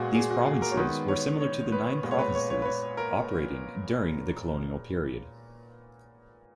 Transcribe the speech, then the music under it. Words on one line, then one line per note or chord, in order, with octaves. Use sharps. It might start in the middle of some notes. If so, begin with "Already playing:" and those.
These provinces were similar to the nine provinces operating during the colonial period.
Already playing: A#2 G#3 B3 F#4 G#4
G#4
F#4
G#4
A#4
C#5
D#3 G#3 B3 B4
C#5
C#5
B4
A#2 G#3 B3
C#5
B4
C#5
C#5
B4
C#5
A#4